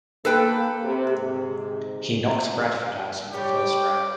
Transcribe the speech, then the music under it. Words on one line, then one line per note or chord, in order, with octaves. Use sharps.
He knocked Bradford out in the first round.
A#3 A4 B4 G5
C3 G4
G#2 C3 G#4
G3 G4 C#5 G5 D6